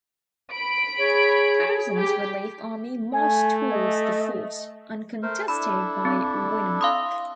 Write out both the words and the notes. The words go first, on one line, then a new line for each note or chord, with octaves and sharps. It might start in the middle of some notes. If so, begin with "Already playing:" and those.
Harrison's relief army marched towards the fort, uncontested by Winamac.
B5 D7
G#4 C#5
G4
A3 G#5
D#5
A3 A#4 C5
D4 E4 A4 B5
C4
F5 C6 D#6